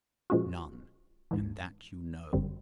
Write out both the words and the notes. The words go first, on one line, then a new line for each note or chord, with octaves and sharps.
None: and that you know.
A#2 F3 G#3 C#4 F#4
G#1 G#2 E3
G1 F#2 D3 G3 C4